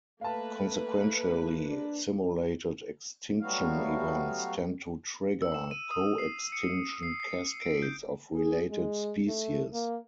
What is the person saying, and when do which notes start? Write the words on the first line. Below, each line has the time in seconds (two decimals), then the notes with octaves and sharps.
Consequentially, simulated extinction events tend to trigger coextinction cascades of related species.
0.21 A3 A#3 B4 F5 A5
1.66 D4
3.41 F#3 G3 A3 B3 F#4 F5
5.42 E6
5.54 E7
5.71 D#7
5.91 D#6
6.18 C7
6.52 C#7
7.03 C7
7.20 C7
7.61 D7
7.82 G6
8.34 G#4
8.71 G#3
9.28 A3
9.73 A#3